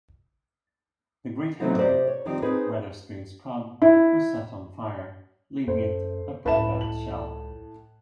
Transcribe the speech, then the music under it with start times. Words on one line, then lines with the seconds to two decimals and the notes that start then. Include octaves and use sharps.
"The Great Harry" Wetherspoons' Pub was set on fire, leaving it a burned-out shell.
1.60 E3 F#3 A3 C4 D#4 F#4
1.78 C3 G4 C5 D5 D#5
2.07 C#5
2.25 D#3 F3 G3 C4 D#4 G4
2.42 C4 D#4 G#4 B4
3.82 E4
5.67 F#2 A3 C5
6.46 C#2 A2 B4 E5 F5 A5 E7
6.81 F#7